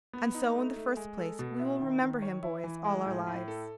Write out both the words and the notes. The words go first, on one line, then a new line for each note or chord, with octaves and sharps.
And so in the first place, we will remember him, boys, all our lives.
B3
D#4
A3
A3
G#3
A4
B2
E4
D#3
D#3
C#5
E4
E3
G#3
A2
A2
A4